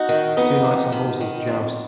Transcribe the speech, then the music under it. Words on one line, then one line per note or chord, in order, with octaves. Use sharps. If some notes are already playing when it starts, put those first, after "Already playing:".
Two knights on horses joust.
Already playing: D#4 F#4
D#3
F2 B3 D#4
F2
D#3
D#3
F2